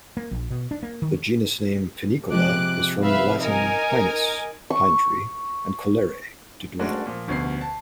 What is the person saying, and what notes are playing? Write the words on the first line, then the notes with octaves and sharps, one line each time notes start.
The genus name "Pinicola" is from Latin "pinus", "pine tree", and "colere", "to dwell".
A#3
A#1
B2
D4
A#3
D#3
C3 F3 G#3 D6 F#6
B4 E5 F5
D#4 A#4 G#5
C#6
G#3 A3 C#4 D4 F#4 D5
A#2 F3
F1 D2 B2 C#4 C7
A5